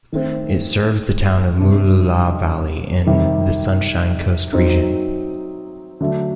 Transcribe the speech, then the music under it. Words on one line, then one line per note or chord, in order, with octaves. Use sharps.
It serves the town of Mooloolah Valley in the Sunshine Coast Region.
D#3 A3 C4
C3 G3 D4
C3 D#3 G3
F#3 C4 D#4
D3 F#3 A3 D4